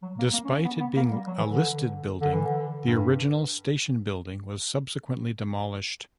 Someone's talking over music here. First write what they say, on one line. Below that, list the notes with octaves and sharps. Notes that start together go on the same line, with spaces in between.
Despite it being a listed building, the original station building was subsequently demolished.
F#3
A#3
A#3
C#4
B3
B3
A#3
G3
F#3
E3
D3
D3
E3
D3
G2